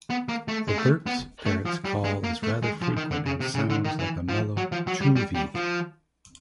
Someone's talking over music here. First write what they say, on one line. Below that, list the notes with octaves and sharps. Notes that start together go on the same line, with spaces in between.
The Bourke's parrots call is rather frequent and sounds like a mellow 'chu-vee'.
B3
A#3
A3
G#3
A3
B3
A3
F3
G3
G#3
A#3
A3
G#3
F3
D#3
D3
C#3
C3
C#3
D3
D#3
E3
F3
F#3
F3
F#3
G3
G3
G3
F3